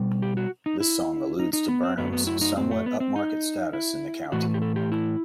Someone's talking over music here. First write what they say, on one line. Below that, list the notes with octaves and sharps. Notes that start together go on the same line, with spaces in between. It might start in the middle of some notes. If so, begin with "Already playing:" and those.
This song alludes to Burnham's somewhat upmarket status in the county.
Already playing: B2 G3
G4
F#4
D#4
E4
D#4
D#4
B3
C4
F#2 F#3 A3 B3
B3
E4
D#4
C4
A3
B3
C4
D#4
E4
A2 E3 A3 F#4
G4
A4
G4
E4